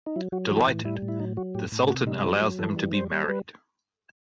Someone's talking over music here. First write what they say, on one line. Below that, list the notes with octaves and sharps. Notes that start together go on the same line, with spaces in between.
Delighted, The Sultan allows them to be married.
D#4
F#3 E4
F#3 F#4
E3 F#4
A2
G3 E4
A2
E4
F#3 D#4
F#3 F#4
A2 G4
A2
C3 F#4
G3 D#4
F#3 E4
F#3 F#4
E3 A4
G3
G3 C5
G3
A4
G3 B4